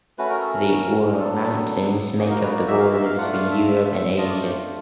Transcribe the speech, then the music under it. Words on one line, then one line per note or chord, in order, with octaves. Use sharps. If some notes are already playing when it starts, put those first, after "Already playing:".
The Ural mountains make up the border between Europe and Asia.
A3 C#4 F#4 B4
A#4
A4
A#4
F#3 B3 D4 A4
A#3 D#4 F#4 G#4
A#4
B4
D5
E5
F5
E5
F5
A3 D4 F4 F#5
F5
E5
E5
E5
A3 D4 F4 D#5
D5
C5